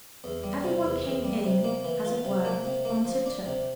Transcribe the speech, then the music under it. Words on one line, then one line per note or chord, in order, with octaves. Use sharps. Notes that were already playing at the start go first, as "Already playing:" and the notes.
Every one came in, as it were, on tiptoe.
E2
G3
C3
E2
E2
G3
C3
A#3
E3
F4
C3
A#3
C3
A#3
F3
D4
C3